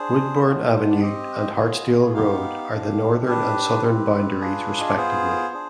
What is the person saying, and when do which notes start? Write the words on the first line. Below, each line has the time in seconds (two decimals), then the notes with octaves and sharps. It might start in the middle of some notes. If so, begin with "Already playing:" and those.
Woodbourne Avenue and Hartsdale Road are the northern and southern boundaries respectively.
Already playing: D4 G#4 C5
0.44 G#3 B3 D4
0.89 D5
1.00 C4 G4 D#5
1.57 B3 F4 G#4
2.13 B3 D#4 G4 F5
2.71 G#3 D4 G4
3.26 D4 G4 B4
3.84 C4 G4
4.40 D4 F4 G#4
4.80 D#5
4.89 D5
4.97 B3 F4 G#4 C5
5.54 D4 G#4